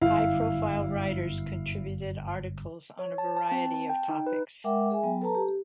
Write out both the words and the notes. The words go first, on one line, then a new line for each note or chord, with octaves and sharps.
High-profile writers contributed articles on a variety of topics.
G1 F#2 E4 F5
C#5
A5
A5
C4
A5
G5
D#4
B4
G#3 A#4 E5 F#5 G5 D6
G#4 E5 G#5
F#3 B3 G5
A4 B4 A5 A#5
G4